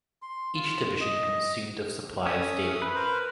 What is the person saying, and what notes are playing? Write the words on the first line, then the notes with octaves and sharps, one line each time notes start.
Each division consumed of supplies daily.
C6
F4
D#5
C#4 E5 D#6
B4
A#4 C5